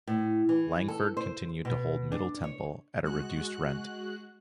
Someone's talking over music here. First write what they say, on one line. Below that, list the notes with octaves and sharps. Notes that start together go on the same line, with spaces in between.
Langford continued to hold Middle Temple at a reduced rent.
A2
E3
A4
C5
B2
D4
C#5
G#3 F#4 F#6